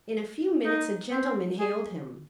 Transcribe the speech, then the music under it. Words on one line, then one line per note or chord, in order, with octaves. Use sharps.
In a few minutes a gentleman hailed him.
D#4
C4
G#4